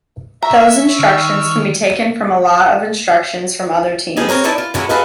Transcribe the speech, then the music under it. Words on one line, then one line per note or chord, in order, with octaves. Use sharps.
Those instructions can be taken from a lot of instructions from other teams.
E5 A#5 C#6 E6
D#3 F6
A2 D#3 F3 B3 D#4 G#4
G#3 C4 A#4 C#5
A#3 D#4 E4 D5 E5 A5
F4
A2 C#3 F#3 G#3 C#4 E4
F#4 G#4 A4 B4 D#5 F5